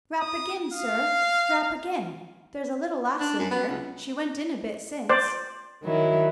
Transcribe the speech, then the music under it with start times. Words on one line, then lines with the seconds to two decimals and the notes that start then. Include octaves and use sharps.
'Rap again, sir, rap again; there's a little lass in there; she went in a bit since.'
0.21 D#6
0.73 F5
3.21 D4
3.39 F#2
3.51 B3
3.69 C#2
5.09 C5 D5
5.84 D#3 F#3 E4